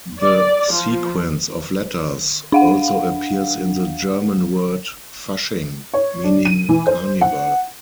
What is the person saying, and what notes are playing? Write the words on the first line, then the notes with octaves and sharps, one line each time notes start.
The sequence of letters also appears in the German word Fasching, meaning carnival.
D5
F3
D4 F5 F#5
C#5
D4
D#7
E3
C5
F#5